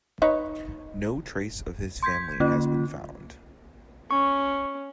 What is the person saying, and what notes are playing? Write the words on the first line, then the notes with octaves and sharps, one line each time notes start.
No trace of his family has been found.
D#4 B4 C#5
C6 G6 G#6 B6
D3 A#3 C#4 F4
C#4 C#6